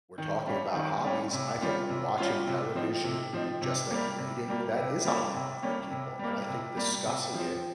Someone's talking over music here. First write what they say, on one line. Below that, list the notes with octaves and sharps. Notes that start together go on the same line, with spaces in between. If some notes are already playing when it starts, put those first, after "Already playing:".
we're talking about hobbies, I think watching television, just like reading, that is a hobby for people. And I think discussing it
D#3
G3 C#4
D#3
G3 C#4
C3
G3 C#4 F4
C3
G3 C#4 F4
C3
F3 C4 D#4
C3
F3 C4 D#4
C3
G3 A#3
C3
G3 A#3
C3
G3 A#3 C#4
C3
G3 A#3 C#4
C3
G3 A#3
C3
G3 A#3
C3
F3
C4